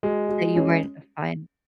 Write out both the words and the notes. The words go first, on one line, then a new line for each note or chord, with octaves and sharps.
that you weren't fine.
G#3 F#4
F#4
C#4